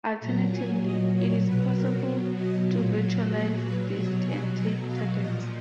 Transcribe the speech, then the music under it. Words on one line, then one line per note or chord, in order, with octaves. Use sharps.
Alternatively, it is possible to virtualize disk and tape targets.
A#2 F#3 A#5
G#5
D#5
C#5
B2 F#3 B4
A#4
D#5
A#2 F#3 F4
F#4
G#4
B4
B2 F#3 C#5
G#5
A#5
F5
A#2 F3 D#5